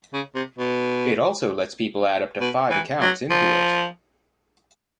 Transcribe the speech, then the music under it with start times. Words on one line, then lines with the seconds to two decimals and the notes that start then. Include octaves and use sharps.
It also lets people add up to five accounts into it.
0.13 C#3
0.35 C3
0.59 B2
2.40 B2
2.70 E3
3.01 F#3
3.30 F3